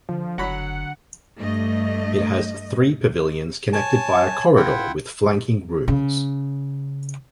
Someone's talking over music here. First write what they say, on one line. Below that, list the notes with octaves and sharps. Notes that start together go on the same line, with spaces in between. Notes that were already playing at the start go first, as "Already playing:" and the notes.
It has three pavilions connected by a corridor with flanking rooms.
D3 F3
F#1 F#3 F#5 B5
G2 A3 D#5
C#5 G#5 A5
E4 F4 E5 F#5 G5
C#3